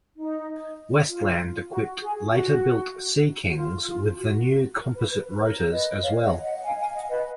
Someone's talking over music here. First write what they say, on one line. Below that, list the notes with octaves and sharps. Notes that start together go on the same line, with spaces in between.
Westland equipped later-built Sea Kings with the new composite rotors as well.
D#4
F4
F#4
G#4
F4
F#4
F#4
F4
F4
F#4
A#4
B4
B4
B4
A#4 C#5
B4 D#5
C#5 F5
D#5 F#5
D#5 F#5
F5 G#5
F5 G#5
D#5 F#5
B4 D#5